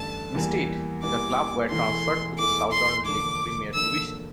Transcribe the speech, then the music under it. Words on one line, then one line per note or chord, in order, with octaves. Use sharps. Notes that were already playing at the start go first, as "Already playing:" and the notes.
Instead, the club were transferred to the Southern League Premier Division.
Already playing: A1 G2 D3 A3 D4 A5
E2 E3 G3 A#3
E2 E3 G3 A#3 D6
E1 E2 E3 A3 C6
E1 E2 E3 A3 D6
C6
E1 D2 D3 F3 A#3 D6
E1 D2 D3 F3 A#3 E6